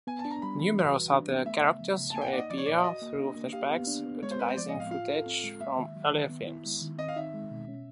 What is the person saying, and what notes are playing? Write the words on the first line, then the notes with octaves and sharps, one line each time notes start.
Numerous other characters re-appear through flashbacks utilizing footage from earlier films.
B3 G#5
A5
D4
A#5
G3 B5
E3 B5
F#4
B4
D4
B3
A3 E5
C#3
F3
C#3
A5
A#3 G#5
G5
F#5
D#4 D5
D#5
F3 D5
C#5
A#2 D5
E5
F#4 D#5
A#3
D4
A#3
G4 F5
B3
D4
B3
G#3 C#5
C5
C4 B4
C5
F3 D5
D#5
A2
F5
F4 F5
A4
C4
G#3
A#3 E5
D#3
F#3
D#3
B3
E4
G#3
D#3
C4 D#5
F5
D#4 E5
G#3
B2
C#4